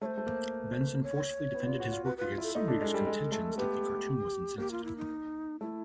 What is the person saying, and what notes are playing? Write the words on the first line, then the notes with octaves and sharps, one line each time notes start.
Benson forcefully defended his work against some readers' contentions that the cartoon was insensitive.
A3 C#5
C5
A3
A#3
C#5
B3
F4
F#4
F4
F#4 B4
F4 B4
E4
A4
D#4 A4
D4
G#3
G3
G#3
A3
B3 G4
A#3 G4
F4
E4
D#4
A3 E4